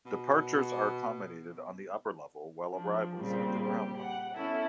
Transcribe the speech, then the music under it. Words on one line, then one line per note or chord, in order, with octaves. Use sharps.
Departures are accommodated on the upper level, while arrivals at the ground level.
B2
F3 D4
A#2 C#3 G3 C4
G4
F#5
B3 C#4 E4 A4